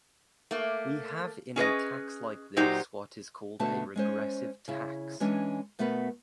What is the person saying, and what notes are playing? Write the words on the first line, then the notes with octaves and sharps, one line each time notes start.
We have in a tax like this what is called a regressive tax.
A3 A#3
C#4 G#4 B4 D#5
A#2 F#3 D#4 G4 C5
B2 D3 A3 F#4 A5
G#3 C#4 C5
C#3 E4
E3 G#3 C#4 D4
B2 A3 B3 A#4 B4